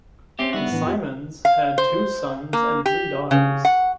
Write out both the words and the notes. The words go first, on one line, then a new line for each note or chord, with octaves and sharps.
The Simons had two sons and three daughters.
C4 C#4 G4 E5
G3 B3 D#4 F#4 E5
A2 E3 D4
F2 F4 G4
F5
C5
A#3
G4
C#3
F#5